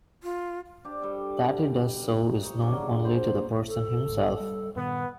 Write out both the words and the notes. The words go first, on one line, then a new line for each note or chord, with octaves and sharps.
That he does so is known only to the person himself.
F4
D4 G4
G3 A4 G5
D#4
D#4 C#5
C#3 F#3 A#3 D4
C5 G#5 C6
A4
A1 G#2
G3
G2 A#2 D#3 B3 B4